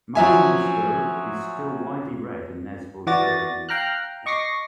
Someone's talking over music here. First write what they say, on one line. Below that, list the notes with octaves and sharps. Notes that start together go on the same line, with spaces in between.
"Manon Lescaut" is still widely read in Nezval's version.
F3 F#3 E5 G#5
E3 F#4 D5 A6 A#6
F5 G5 A#5 F6 F#6
D#5 C#6 D6 A#6 C7